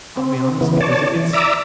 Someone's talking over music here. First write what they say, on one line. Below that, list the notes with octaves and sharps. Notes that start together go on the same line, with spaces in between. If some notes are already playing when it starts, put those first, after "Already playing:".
I'll be honest because i it's
C4
C#3 E3 B3
C#5 D5 A5
E3
D5 E5 A#5 D6 E6